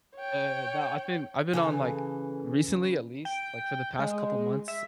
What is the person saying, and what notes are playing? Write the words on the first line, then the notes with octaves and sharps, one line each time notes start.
Eh, no, I've been I've been on, like recently at least, like, for the past couple months,
C#5 G5
C#3 E3 A4
G5
G#3
E5